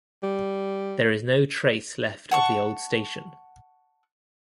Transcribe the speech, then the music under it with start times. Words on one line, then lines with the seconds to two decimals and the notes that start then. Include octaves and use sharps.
There is no trace left of the old station.
0.23 G3
2.31 F#5 A5 C#6